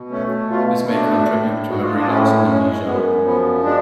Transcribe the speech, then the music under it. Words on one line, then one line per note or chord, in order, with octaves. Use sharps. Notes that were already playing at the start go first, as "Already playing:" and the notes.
This may contribute to memory loss and amnesia.
Already playing: B2
A3 C#4
B2 F4
A3 D4
A2
G#3 F#4
F4
D4
A2 C#4
G#3 C#4
F#2 B3
F3 B3
G#3 D4